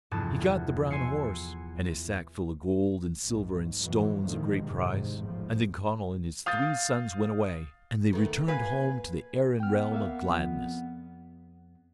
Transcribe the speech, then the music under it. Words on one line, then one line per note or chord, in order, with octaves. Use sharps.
He got the brown horse and his sack full of gold and silver and stones of great price, and then Conall and his three sons went away, and they returned home to the Erin realm of gladness.
F1 E2 G2 C4 A5
G#5 C6 E6 C7 C#7
B1 G#2
F2 A#2 E3 F#3
A2 D3 D#3 F3 G#3 A#3
E2 G#2 C3 D#3
G#1 E2 A2 F3
F5 D#6 G6 A6
D#3 A3 B3
A#3 F4 B4 G#5
B3 G5 F6
A#3 E5 F5
F2